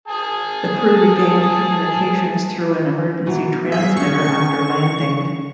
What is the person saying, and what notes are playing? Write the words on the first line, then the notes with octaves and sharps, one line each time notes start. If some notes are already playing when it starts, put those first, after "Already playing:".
The crew regained communications through an emergency transmitter after landing.
G#4 G#5 A5
B2 E3 F#3
G#4 E5 F5
C#3 C#4 G#4 C#6